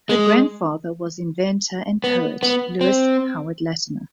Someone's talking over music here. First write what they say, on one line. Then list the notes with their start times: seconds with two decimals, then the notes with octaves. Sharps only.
Her grandfather was inventor and poet Lewis Howard Latimer.
0.09 G#3
2.04 B3
2.43 B3
2.81 C4